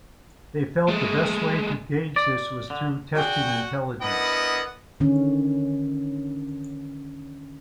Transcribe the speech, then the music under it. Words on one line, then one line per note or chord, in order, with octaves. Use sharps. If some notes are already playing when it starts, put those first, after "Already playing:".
They felt the best way to gauge this was through testing intelligence.
G#3 A3
D5
D3
F#4 G#4 D5 G5
B3 D4 E4 A#4 D#5 F#5
D3 D#3 C#4